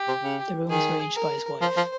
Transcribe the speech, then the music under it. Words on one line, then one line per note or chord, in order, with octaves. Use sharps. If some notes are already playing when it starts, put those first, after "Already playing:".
The room was arranged by his wife.
Already playing: G4
C3
C#3
D#3 G#4
A#4
F3 C5
F3